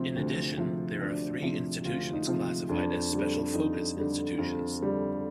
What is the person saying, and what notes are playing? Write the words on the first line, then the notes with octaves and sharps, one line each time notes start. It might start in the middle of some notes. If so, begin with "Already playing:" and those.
In addition, there are three institutions classified as special-focus institutions.
Already playing: D2 C3 F3 C4
D2
C3 F3
D2 D4
C3 F3
D2 F4
D#4
C3 F3
F2 D4
D3 G3
F2 D#4
D3 G3
F2
D3 G3